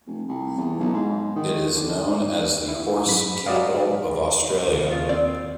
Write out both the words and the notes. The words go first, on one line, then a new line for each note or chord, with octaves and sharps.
It is known as the 'Horse capital of Australia'.
F1
C2
E2
B1
G#2
D#3
D3
E4
F#2 B5
F#3 G3 D5 D#5 F5
D#2
C#3 F4
C4 D5